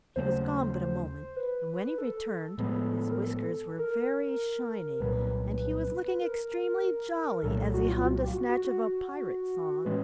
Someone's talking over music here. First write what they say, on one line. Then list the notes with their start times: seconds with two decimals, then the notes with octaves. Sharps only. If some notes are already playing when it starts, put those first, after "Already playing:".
He was gone but a moment, and when he returned his whiskers were very shiny, and he was looking extremely jolly as he hummed a snatch of a pirate song.
0.16 D#2 C#3 F#3 A3 C5
1.36 B4
1.98 A4
2.58 A2 F3 G#3 B3
3.11 A#4
3.19 A4
3.79 A#4
5.00 C2 A#2 F#3 B4
6.21 A#4
7.42 C2 A#2 F#3 A3 A4
7.74 F#4
7.88 F4
8.04 F#4
8.18 G4
8.27 F4
8.33 F#4
8.49 F#4
8.65 F#4
9.85 A2 E3 G#3 C#4 B4